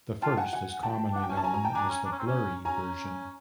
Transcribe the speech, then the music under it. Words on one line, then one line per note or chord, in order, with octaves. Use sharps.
The first is commonly known as the "blurry" version.
F4 G5 A5
F#5 G#5
F#5 G#5
G5 A5
D4 F#5
G5
C#4 G#5
A5
G#5 A#5
G#5 A#5
G5 A5
D4 G#5 A#5
C#4
D4
C#4
C4
C#4
C#4 G#5 A#5